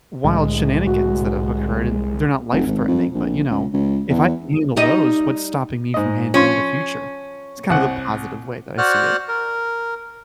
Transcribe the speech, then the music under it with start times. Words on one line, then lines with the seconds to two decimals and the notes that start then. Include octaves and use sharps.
wild shenanigans that have occurred, and they're not life threatening, but, you know, if I can handle those, what's stopping me from handling the future? It's kind of the positive way that I see it.
0.24 C2 A2 D3 G#3
0.87 C2 F#4
2.52 F1
2.67 G#1
2.88 F2
3.15 A#1
3.51 C#2
3.73 C#2
4.09 E2
4.76 G3 D#4 D#5
5.94 G#2 D#5
6.34 F3 C#4 C6
7.70 C2 F#5
8.78 F#4 C5 D5 F#5 F6 F#6
9.28 A#4